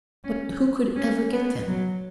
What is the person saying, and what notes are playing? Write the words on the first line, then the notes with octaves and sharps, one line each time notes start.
But who could ever get them?
C#4
C#4
B3
F#3